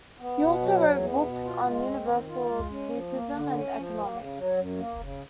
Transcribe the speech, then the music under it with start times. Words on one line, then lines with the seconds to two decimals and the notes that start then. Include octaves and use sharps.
He also wrote books on Universal Sufism and economics.
0.19 B3
0.40 B2
0.61 F#3
0.82 E2
1.02 B3
1.23 B2
1.44 F4
1.65 G#3
1.86 C4
2.06 D#3
2.27 F4
2.49 G#3
2.70 C#4
2.90 F3
3.11 A#3
3.32 D3
3.53 C#4
3.74 F3
3.95 A#3
4.15 C#3
4.36 F#3
4.57 F#2
4.78 A#3
4.99 C#3